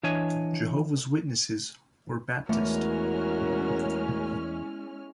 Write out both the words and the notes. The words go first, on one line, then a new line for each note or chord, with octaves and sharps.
Jehovah's Witnesses or Baptist.
E3 D4 C#5 D#5 G#5
E2 G#3 A3 C#4 F#4 A#4 F6